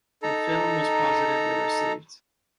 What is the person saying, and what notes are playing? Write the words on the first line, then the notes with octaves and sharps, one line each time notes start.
The film was positively received.
D#4 A4 A#5